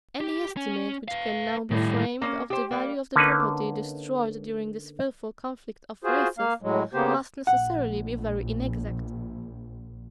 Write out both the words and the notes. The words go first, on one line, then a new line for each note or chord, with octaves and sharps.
Any estimate which can now be framed of the value of the property destroyed during this fearful conflict of races must necessarily be very inexact.
G4
C#4
B4 F5
A2 D#3 G3
A#3 C4 C#4
G4 C5
G3 A#3
D3 A#3 C#4 D#4 B4
F4 F#4 G#4 C5
A#3 F5
A2 F#3 G#3
C#3 A#3 B3 G4 C5
A#1 F#5